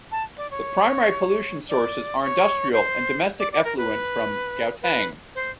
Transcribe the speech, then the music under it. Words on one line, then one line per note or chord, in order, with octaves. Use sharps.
The primary pollution sources are industrial and domestic effluent from Gauteng.
A5
D5
C#5
D5
C#5
C5
D5
D5
A#4
B4
B4
C5